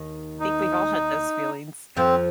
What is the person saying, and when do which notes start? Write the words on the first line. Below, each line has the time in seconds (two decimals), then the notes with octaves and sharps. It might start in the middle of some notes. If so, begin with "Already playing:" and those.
I think we've all had those feelings.
Already playing: D#2 D#3
0.40 D#4
1.97 F2 F3 C4